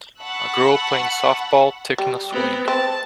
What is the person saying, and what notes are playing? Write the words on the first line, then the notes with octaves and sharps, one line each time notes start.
A girl playing softball, taking a swing.
F#5 A5 B5 C#6 E6 F#6
G3
B3 C4
C4 A5